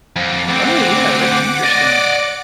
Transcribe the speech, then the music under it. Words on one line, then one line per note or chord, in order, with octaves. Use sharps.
Oh, yeah, that's interesting.
F2 F#5 D6
D2 C4
D5 D#5